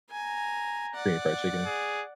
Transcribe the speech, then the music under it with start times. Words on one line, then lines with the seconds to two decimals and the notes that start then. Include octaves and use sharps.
Korean fried chicken.
0.10 G#5 A#5
0.95 D5 F#5
1.66 G#4